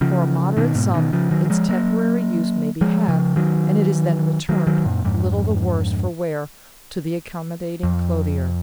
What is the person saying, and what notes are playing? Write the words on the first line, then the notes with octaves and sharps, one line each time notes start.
For a moderate sum its temporary use may be had, and it is then returned, little the worse for wear, to the accommodating clothier.
C#3 F3
B2 D#3
G#2 B2
B2 D#3
C#3 F3
D#3 F#3
F#3
F3 G#3
F#3 A#3
F3 G#3
C#3 F3
D#3 F#3
D#3 F#3
D#3 F#3
F#2 A#2
F2 G#2
F2